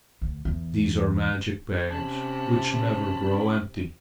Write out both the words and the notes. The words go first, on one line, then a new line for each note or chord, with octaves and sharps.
These are magic bags which never grow empty.
D2
E2
C3 C#4 A5 B5